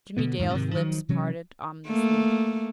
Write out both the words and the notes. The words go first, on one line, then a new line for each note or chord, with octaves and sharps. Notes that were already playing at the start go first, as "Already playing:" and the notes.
Jimmie Dale's lips parted ominously.
B2 D3 B3
E2 G#2 C3 D#3
G#2 C3 D#3
D#3 F3 F#3
C3 E3 F#3 C#4
A3 A#3